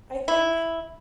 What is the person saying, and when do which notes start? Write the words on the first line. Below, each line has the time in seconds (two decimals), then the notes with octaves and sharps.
I think,
0.28 E4